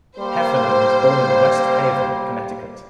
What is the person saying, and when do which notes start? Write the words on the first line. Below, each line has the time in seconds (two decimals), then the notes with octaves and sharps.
Heffernan was born in West Haven, Connecticut.
0.19 G3 A#3 C5